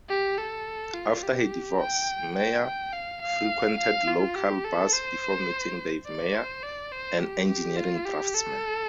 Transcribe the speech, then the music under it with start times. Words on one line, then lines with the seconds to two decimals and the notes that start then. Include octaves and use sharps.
After her divorce, Meyer frequented local bars before meeting Dave Meyer, an engineering draftsman.
0.09 G4
0.38 A4
0.94 F4
1.23 G4
1.80 G5
2.37 G5
2.65 G5
2.93 F5
3.22 F5
3.79 F5
4.08 F4
4.36 G4
4.65 A4
4.93 C5
6.07 D5
6.35 C5
6.63 D5
6.92 C5
7.20 G4
7.49 G4
7.77 F4
8.06 G4
8.35 A4